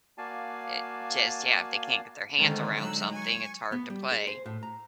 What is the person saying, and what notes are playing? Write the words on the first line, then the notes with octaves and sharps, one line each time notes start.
eh just yeah. If they can't get their hands around something, it's hard to play.
A#3 F#4 D5 F5 G#5 A5
D3 D#3 G#3 A3 C4 C#4
F#3 G#3 D#4 E6 F#6
G#5 C#6
B3
G3
G#4
C5
A2
A#5